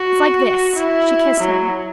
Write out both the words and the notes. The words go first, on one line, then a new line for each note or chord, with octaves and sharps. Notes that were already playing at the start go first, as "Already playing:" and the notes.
"It's like this." She kissed him.
Already playing: F#4
E4
F#3